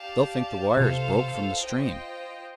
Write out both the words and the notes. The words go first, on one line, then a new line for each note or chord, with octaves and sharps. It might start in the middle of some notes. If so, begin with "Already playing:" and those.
They'll think the wires broke from the strain.
Already playing: G4 D5 F5 A5
C3 F4 A4 C5 F5
F4 C5 D#5 G5